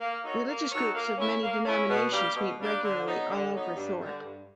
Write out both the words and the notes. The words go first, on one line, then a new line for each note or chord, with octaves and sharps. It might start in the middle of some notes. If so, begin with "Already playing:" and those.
Religious groups of many denominations meet regularly all over Thorpe.
A#3
D#4 F#4 A4 C#5
A#3
D#4 F#4 A4 C#5
A#3
C#4 E4
A#3
C#4 E4
B2
G3 A#3 D4 G4
B2
G3 A#3 D4 G4
D3
F#3 B3 D#4
D3
F#3 B3 D#4
G2
D3 G3
G2